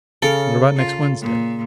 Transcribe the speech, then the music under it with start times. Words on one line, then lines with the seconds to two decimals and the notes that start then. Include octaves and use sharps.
"What about next Wednesday?"
0.22 C#3 A4 A#4
0.76 F4
1.21 A#2